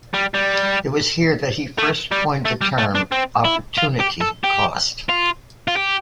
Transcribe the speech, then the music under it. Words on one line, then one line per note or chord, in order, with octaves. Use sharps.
It was here that he first coined the term opportunity cost.
G3
G3
A3
G3
A3
G3
A3
D4
C4
E4
F4
G4
A4
G4
F4
F4
G4